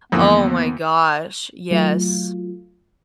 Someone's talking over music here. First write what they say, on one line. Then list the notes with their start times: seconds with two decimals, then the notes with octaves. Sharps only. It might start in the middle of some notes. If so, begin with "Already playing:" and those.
Oh my gosh. Yes.
0.12 F2 D3 E3 A#3 B3 E6
1.71 F#3 A3 F4